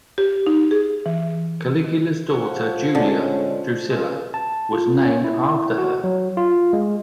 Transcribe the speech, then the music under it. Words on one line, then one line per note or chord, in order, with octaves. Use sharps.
Caligula's daughter, Julia Drusilla was named after her.
G4
D#4
G#4
E3
D#3
F3 C#5 F#5
D3 G#3 C#4
C#3 G#3 F4 B4
A5
F4
C#4
E4
F#4
F#3
F4
G#3